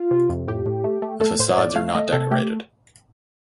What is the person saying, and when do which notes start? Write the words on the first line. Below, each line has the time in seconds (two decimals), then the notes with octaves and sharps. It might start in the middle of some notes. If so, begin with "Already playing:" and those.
The facades are not decorated.
Already playing: F4
0.11 C3
0.29 F2
0.48 A2 G4
0.66 A2
0.84 A3
1.02 A3
1.20 A3 A4
1.39 A2 C5
1.57 A2 D5
1.76 A3 F5
1.95 A3 D#5
2.13 C3 A4
2.31 A3 G4